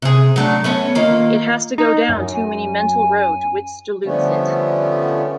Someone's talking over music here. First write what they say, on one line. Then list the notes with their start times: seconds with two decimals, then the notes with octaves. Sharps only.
It has to go down too many mental roads, which dilutes it.
0.02 C3 G#4
0.36 F#3 A3 D4
0.64 A3 B3 C#4
0.95 D#3 A#3 F4
1.78 D#4
2.09 F#2
2.34 G#5
4.05 D3 F3 G3 A3 B3 C#4